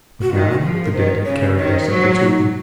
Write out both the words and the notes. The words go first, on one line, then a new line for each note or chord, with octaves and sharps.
But now the dead had carried their secrets with them.
F#4
D#3 F4
F#4
F3 F#4
G#4
A#4
D#3 C5
C#3 C#5
C#5
D#3 C#5
C5
A#4
F#3 C5
D#4